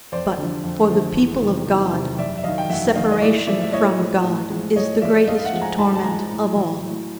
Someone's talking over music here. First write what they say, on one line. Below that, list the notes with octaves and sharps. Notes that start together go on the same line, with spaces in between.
But for the people of God separation from God is the greatest torment of all.
F2 C5 D5
D3 F3
F2
D3 F3
E2
C3 D#3 F#3
E2
C3 D#3 F#3
F#2 D5 E5
E5
D#3 F#3 D#5 F5
G5
F#2 E5 F#5
D#3 F#3 D#5 F5
D#5
A2 D5 E5
F3 G#3 D5 E5
E5
A2 C#5 D#5
F3 G#3
A2
F3 G#3
A2 C#5 D#5
F3 G#3 D5 E5
G#2 D#5 F5
F5
E5 F#5
F3 G#3
G#5 A#5
G#2 A5 B5
A5
F3 G#3 G#5 A#5
A2
F#3
A2